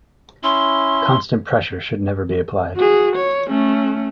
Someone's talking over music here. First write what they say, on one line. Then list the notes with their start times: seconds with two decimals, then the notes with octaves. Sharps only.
Constant pressure should never be applied.
0.43 C#4 E4 C6
2.76 F#4 G#4
3.17 C#5
3.49 A3 C#4